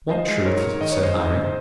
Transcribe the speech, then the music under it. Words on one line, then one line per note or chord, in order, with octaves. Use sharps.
"What truth?" said Harry.
F3 C5 D#5
G#3
G#2 A#4 C#5
G#2
D#3 D#5
C#5
G#3 C5 D#5
G#2
G#2